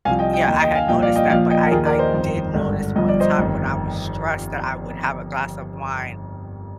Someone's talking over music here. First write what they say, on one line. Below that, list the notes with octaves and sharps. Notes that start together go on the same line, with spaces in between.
yeah, I had noticed that, but I I did notice one time when I was stressed that I would have a glass of wine
C2 C3 F3 F5 G#5
D#5 G5
D#5 G5
D#2 D#3 D#5 G5
D#5 G5
F5 G#5
C2 A#2 F3 D#5 G5
D5 F5
D#5 G5
A#1 A#2 F3 D5 F5
D#5 G5
A#4
D#2 D#3 F4 G#4
A#4 D5
C5 D#5
G1 F2 D#3
G#1 G2 D3
G1 G2 F3 D#5
D5
C5 D#5
G1 F2 D#3